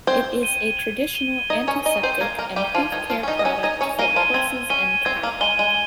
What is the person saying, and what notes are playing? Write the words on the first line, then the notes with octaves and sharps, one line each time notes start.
It is a traditional antiseptic and hoof care product for horses and cattle.
C4 C5 G#6
D#7 G7
G#6
D#7 G7
D#4 D#5 G#6
C#4 C#5
D#4 D#5 D#7 G7
C4 C5
A#3 A#4 G#6
A#3 A#4
G3 G4 D#7 G7
F3 F4
D#3 D#4 G#6
F3 F4
C#4
D#3 D#4 D#7 G7
D#5
C#4 C#5
D#4 D#5 G#6
C#4 C#5
A#3 A#4 D#7 G7
F3 F4
C4 G#6
C#4 D#7 G7
C4 G#6
A#3
G#3 D#7 G7
G#3